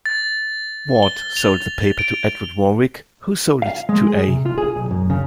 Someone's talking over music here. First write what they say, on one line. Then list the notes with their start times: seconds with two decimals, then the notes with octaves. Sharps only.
Ward sold the paper to Edward Warwick who sold it to A.
0.06 A6
1.03 G7
1.37 F7
1.99 D7
3.62 F5
3.89 G#3
4.07 G#4
4.28 C3
4.46 F4
4.58 G#4
4.76 B1
4.91 F#2
5.10 C#3